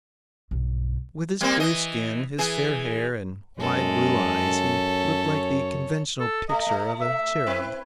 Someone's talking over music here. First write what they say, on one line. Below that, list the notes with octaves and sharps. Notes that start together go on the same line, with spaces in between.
With his clear skin, his fair hair and wide blue eyes he looked like the conventional picture of a cherub.
B1 G2
G3 A#3 C4
E3 D#5
E3 G#4
F#2 G#3 C#4 A4
C#5
A4
A3 D#5
A3
E5
C4 E4 B4